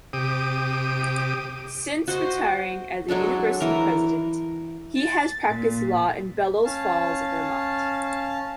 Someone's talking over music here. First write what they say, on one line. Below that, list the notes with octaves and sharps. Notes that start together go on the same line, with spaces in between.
Since retiring as University President, he has practiced law in Bellows Falls, Vermont.
C3 G4 D6 D#6
F#4 C5 D#5
F#3 G#3 D4 A4
E3 A#4
A6
A#2
C#4 F5 A5